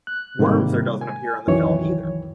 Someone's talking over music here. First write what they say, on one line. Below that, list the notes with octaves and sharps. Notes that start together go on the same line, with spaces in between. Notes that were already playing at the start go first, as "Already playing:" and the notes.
Wormser doesn't appear in the film either.
F#6
G#2 C3 D#3 G3 A#3
G#5
C2 F#2 D#3 E3 C#5